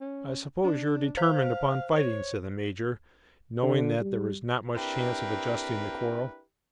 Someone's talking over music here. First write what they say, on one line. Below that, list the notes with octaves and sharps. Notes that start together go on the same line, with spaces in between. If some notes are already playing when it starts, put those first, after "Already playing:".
"I suppose you are determined upon fighting?" said the major, knowing that, there was not much chance of adjusting the quarrel.
C#4
D4
C5 F5
C#5
D3
G3
C4 D4 E4 G4 A#4 B4